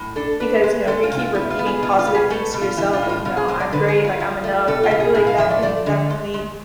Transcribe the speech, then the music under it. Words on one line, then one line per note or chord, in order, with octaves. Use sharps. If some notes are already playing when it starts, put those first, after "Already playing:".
because, you know, if you keep repeating positive things to yourself, like, you know, "I'm great," like, "I'm enough," I feel like that can definitely
Already playing: A2
D4 A4
D4 B4
G#3
G#3 A4
F4
C3
F4
B3 E4
F4
B3
G#4
B2 F4
F4
B3
G#4
A3 A4
B2
F4
E3 E4
F4
A2
F4
B2 F4
G#4
G#3 C5
D5
D3 B4
G#4
F2
F4
F3
A3
B2 A4
F4
B2
G#4
A2 G#4
F5
F3 E5
D5
A3 D5
D3
G#3
G#3